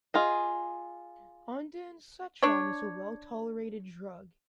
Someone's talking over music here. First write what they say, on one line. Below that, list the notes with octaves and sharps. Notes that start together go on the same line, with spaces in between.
Ondansetron is a well-tolerated drug.
F4 G#4 D#5
D4 C#5